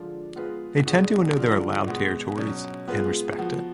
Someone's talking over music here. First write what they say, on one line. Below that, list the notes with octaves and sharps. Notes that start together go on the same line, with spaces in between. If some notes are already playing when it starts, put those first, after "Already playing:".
They tend to know their allowed territories and respect it.
Already playing: D3 F3 G#3 D4 F4
G#3 B3 F4 G#4 B4
B2 G#3 B3 D4 G#4
D3 F3 G#3 D4 F4
B2 G#3 B3
B2 F#3 C#4
G#3 B3 F4 G#4 B4
F3 B3 F#4